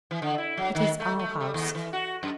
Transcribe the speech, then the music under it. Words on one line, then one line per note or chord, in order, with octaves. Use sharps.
It is our House.
E3
D3
E4
F#3
D#3
A3
A3
G3
D#2
E3
F#4
F#2